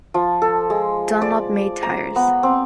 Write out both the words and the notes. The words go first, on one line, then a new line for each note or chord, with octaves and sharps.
Dunlop made tyres.
F3
A4
G#3
D5
A#5
B3
C4